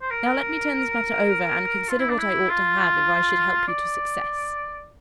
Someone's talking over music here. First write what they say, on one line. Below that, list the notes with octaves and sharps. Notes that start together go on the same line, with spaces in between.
'Now, let me turn this matter over, and consider what I ought to have if I should help you to success.'
C5
A#4
F4
E4
D4
E4
F4
D5